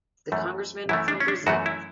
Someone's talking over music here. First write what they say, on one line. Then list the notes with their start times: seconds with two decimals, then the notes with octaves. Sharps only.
The Congressmen from Brazil.
0.32 F#2 E3 A3
0.89 F#2 E3 A3 E4
1.08 D4
1.20 C#4
1.28 D4
1.47 F#2 E3 A3 F#4
1.66 E4